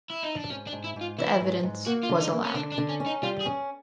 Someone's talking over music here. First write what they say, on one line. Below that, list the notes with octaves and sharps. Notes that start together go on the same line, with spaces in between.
The evidence was allowed.
E4
D#4
D4
G#2 C#4
D4
G#2
E4
G#2 F4
E3 E4
G#2
G#2
A#3 F#4
F4
D3
D#4
A#3
C#4
D3 D4
D4
D3
C#4
C#4
D#4
G3 F4
G#4
C#4